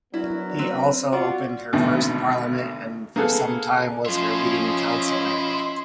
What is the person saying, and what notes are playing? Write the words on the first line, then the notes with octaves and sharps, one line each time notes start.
He also opened her first parliament and for some time was her leading councillor.
F#3 B3 D4 E4 A#4
C4 B4 E5
F4 F#4 D5
G#1 D2 B2 D#3 E3
A#3 B3 G#4 A4
F3 C#4 E4 C#5 D#5 C6